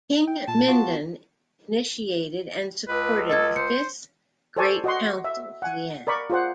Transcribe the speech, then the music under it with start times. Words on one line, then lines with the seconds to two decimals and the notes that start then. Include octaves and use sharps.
King Mindon initiated and supported the Fifth Great Council to the end.
0.28 G5
0.48 A#2 A5
0.68 B3 F4 F#4
2.88 C#2 B4
3.30 A4 D#5 G#6
3.56 C5 C#7
4.57 A4 C5 D5 G#5 A5 C#6
4.84 F#4 D#5 F#5 C6
5.24 E5
5.62 F#5 G#5
6.07 A#4 D5 B5 C#6
6.30 F4 G#4 C5 F#5